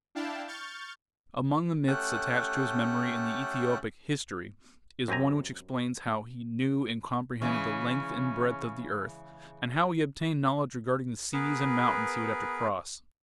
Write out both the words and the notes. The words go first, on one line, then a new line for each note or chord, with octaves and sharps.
Among the myths attached to his memory in the Ethiopic "history" is one which explains how "he knew and comprehended the length and breadth of the earth", and how he obtained knowledge regarding the seas and mountains he would have to cross.
D4 E4 F5 G5 A5
C#6 F6 G6 A6
A3 C#4 G4 A4 F#5 F#6
F#2 C4 G4 G#5 A#5
C#3 E3 G#3 C#4
B3 G#4 A#4 B4